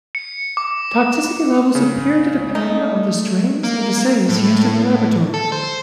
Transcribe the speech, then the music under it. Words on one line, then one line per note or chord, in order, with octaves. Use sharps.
Toxicity levels appear to depend on the strains and assays used in the laboratory.
C#7
D6
C#3
C#2
A3 D#4
A#3
A2
A4
C5